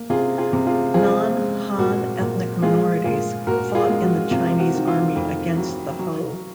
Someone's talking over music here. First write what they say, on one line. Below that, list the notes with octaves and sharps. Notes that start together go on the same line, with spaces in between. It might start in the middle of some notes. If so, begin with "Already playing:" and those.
Non-Han ethnic minorities fought in the Chinese army against the Ho.
Already playing: A#3
C3 F4 G#4
F4 G#4
C3
F4 G#4
F3 F4 G#4
G#3
A#2 F#4
A#2
G#3 F4 G#4
A#2 F4 G#4
A#2 F#4 A#4
F4 G#4
G#3
F#4
C3 F4
F#4
D#3
F4
F2
F#3
F#3